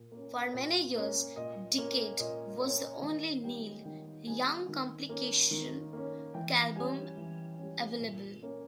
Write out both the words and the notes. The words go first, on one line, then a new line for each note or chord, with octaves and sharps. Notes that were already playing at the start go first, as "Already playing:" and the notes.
For many years, "Decade" was the only Neil Young compilation album available.
Already playing: A#2
A#3
C#4
A#2
A#3 C#4
A#2 D#5
A#3 C#4 C#5
A#2 D#5
A#3 C#4 C#5
D#3 D#5
G3 B3 G5
D#3 G5
G3 B3 G#5
D#3
A#3 C#4
D#3
A#3 C#4
E3 G5
G3 C#4 G#5
E3
G3 C#4
A#2
A#3 C#4